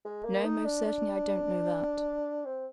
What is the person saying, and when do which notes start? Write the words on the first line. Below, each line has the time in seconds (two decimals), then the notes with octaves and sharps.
"No, most certainly I don't know that."
0.05 G#3
0.25 A#3
0.45 D#4
0.65 D4
0.85 D4
2.45 C4